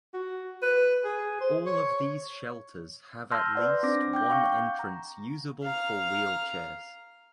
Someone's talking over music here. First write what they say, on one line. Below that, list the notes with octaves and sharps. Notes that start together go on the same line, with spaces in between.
All of these shelters have at least one entrance usable for wheelchairs.
F#4
B4
G#4
C5
C#5
A5 C6 E6 F6 G6 A#6
B4 D5 F#5
C4 D4 D6 A#6
G5 D6 G6
F5 F#5 C#6
A#5
F5 A#5